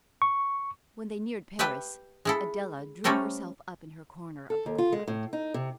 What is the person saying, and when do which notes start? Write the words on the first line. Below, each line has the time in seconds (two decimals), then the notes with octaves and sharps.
When they neared Paris, Adela drew herself up in her corner of the compartment.
0.22 C#6
1.59 G4 B4 E5 G5 A5
2.25 G#3 E4 A4
3.04 G3 A3 C#4 A4 A#4 C5
4.50 A4
4.66 D#2
4.78 F4
4.92 G#3
5.08 A2
5.33 D#4
5.54 C3